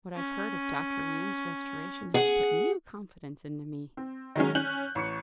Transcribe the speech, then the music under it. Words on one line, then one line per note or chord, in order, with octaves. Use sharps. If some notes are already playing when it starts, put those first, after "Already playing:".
"What I have heard of Dr. Lamb's restoration has put new confidence into me."
C#4
G#4 F#5
C4
D#3 F#3 G#3 C#4
C#4 F#6 G6 F#7
A1 C#6 C#7